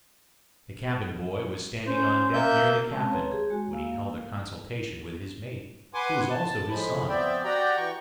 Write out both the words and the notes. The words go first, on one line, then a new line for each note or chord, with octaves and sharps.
The cabin boy was standing on deck near the captain, when he held a consultation with his mate, who was also his son.
C#4 C5
A#3 E5 G6
G#3 C4 C#4 F5 A5
B4 C#5 A#5 C6
G4 G#4
G#3 F#4 G#5
A#3 F5 E6
B4 F#5 G#5 C6 D6
A5
A2 F3 G#3 B5
F3 B3 C4 D5 E5 G5
F#4 G4 D5 G5 A#5
E3 G5 C#6